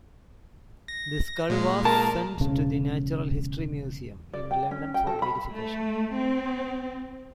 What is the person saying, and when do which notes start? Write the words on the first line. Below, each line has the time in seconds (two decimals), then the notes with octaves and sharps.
The skull was sent to the Natural History Museum in London for verification.
0.88 A#6
1.50 A#2 G#3
1.85 A#4 A5
2.38 E1 C#3
4.33 D5
4.51 G5
4.71 C#4
4.94 G5
5.07 A4
5.22 B5
5.53 A3
6.14 C4